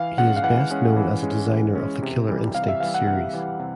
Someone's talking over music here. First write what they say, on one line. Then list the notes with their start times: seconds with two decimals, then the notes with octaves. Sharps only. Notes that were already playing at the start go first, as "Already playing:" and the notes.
He is best known as a designer of the "Killer Instinct" series.
Already playing: E3 F5
0.18 G#3 C#4 F#5
0.37 F5
0.43 E3 F#5
0.70 G#3 C#4
0.96 E3
1.23 G#3 C#4
1.49 E3
1.75 G#3 C#4
2.02 C3
2.28 E3 G3
2.55 C3 F5
2.68 E5
2.80 E3 G3 F5
2.94 F#5
3.07 C3 F#5
3.33 E3 G3
3.59 C3